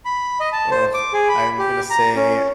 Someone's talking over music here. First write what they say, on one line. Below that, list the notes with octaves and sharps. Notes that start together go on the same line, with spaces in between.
Ugh. I'm gonna say
B5
D#5
A5
C5
D6
G#4
B5
G4
A#5
C#4